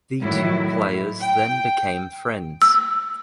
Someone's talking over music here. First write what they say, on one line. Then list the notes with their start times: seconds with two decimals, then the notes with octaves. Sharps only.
The two players then became friends.
0.22 A2 D#3 F#3 E4
1.19 G5
2.62 E6